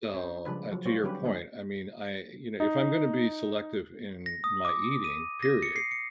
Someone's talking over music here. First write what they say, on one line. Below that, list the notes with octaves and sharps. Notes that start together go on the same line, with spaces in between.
So uh, to your point, I mean, I you know, if I'm gonna be selective in my eating, period,
C#4 C5
C#3 F3 G3 G#3 D4 B4
F3 F#3
G3 A#3 D#4 C5 C#5
D3 F#3 G3 C#4 G4 B4
D3 G#3 G#4
D#4
A#6
D#6
D6
D#7
A#6
C#7
C7
C#7